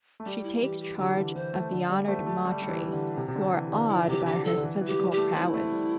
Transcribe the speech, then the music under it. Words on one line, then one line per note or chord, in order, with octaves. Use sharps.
She takes charge of the Honored Matres, who are awed by her physical prowess.
A3
G3 G4
E4
E3 G4
G4
D3 G4
E3
E3 C5
A3
D3
G3 D5
A3 C5
A3 G4
G3
G3
E3
D3
C3
C3
D3
E3
D3
E3 E4
C3 G4
D3 G4
E3 A4
D3
E3
E3
G4
G3
G4
A3
C4 E4
A3
G3